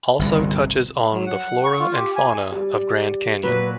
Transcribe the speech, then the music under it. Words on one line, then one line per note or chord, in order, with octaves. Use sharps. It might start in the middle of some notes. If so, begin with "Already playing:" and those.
Also touches on the flora and fauna of Grand Canyon.
G1 C2
F#3
F#5
C#6
F4
G4
G#5
G3
A#2 F#3 B4